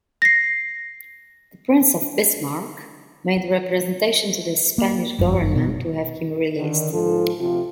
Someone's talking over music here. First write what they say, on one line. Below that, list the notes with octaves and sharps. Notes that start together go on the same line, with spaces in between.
The Prince of Bismarck made representations to the Spanish government to have him released.
A#6 C7
A#3
G1 F#2 A2 F3
F#1
B2
D3 D#3
G#2 F3 A4
D2 C3 F3 F4